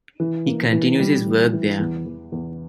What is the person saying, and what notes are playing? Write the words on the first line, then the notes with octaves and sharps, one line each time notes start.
He continues his work there.
E3
A#3
E3
G3
E3
E3
E2
E2
E2